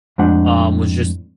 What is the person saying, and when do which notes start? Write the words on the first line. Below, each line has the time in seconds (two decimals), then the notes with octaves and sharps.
um, was just
0.18 F2 A2 G#3 D4 C5 F#5